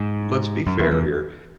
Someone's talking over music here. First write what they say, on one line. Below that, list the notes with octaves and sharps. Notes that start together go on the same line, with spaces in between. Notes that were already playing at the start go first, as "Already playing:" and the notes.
let's be fair here,
Already playing: G#2
F#2
E2
E2